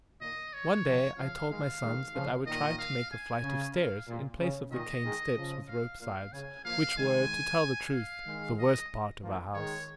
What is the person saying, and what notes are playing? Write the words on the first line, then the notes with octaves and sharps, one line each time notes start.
One day I told my sons that I would try to make a flight of stairs in place of the cane steps with rope sides, which were, to tell the truth, the worst part of our house.
A#2 D#3 D#5
C#5
C#3 F3
C#3 F3 F5
D#3 G#3 F5
D#3 G#3
C#3 F3
A#2 D#3 D#5
F5
G#5
C#3
F5
A#2
C#3
A#2 D#3 D#5
D#3 G#3
C#3 F3
F5
A#2 F5
C#3 G#5
F3 A#3 F5
D#3 G#3 G#5
F5
D#3 G#3
D#5
F3 A#3
D#3 G#3 C#5